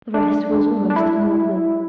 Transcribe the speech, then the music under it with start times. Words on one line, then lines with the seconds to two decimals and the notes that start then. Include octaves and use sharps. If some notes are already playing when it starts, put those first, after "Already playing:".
The rest was almost inaudible.
0.14 D4
0.90 D4
0.96 E4